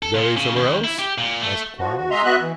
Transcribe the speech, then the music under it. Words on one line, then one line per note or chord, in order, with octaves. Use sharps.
"To bury somewhere else?" asked Quarles.
A4
A#2
C#3
D#2
E4
G4
A#2
A3
F3 F#4
F#4
G#3 D#5 E5 A#5 C6
B3 F#4 D#5 E5 F#6
E3